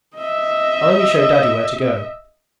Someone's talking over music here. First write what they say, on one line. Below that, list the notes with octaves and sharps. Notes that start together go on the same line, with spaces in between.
I'll only show Daddy where to go.'
D#5 E5